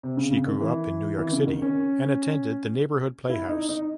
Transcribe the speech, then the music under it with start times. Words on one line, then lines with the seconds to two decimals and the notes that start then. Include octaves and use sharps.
She grew up in New York City and attended the Neighborhood Playhouse.
0.03 C3
0.17 C#3
0.32 C#3
0.46 D#3
0.61 E3
1.18 E3
1.33 C#3
1.47 D#3
1.62 C#4
3.29 E4
3.49 D#4
3.69 D#4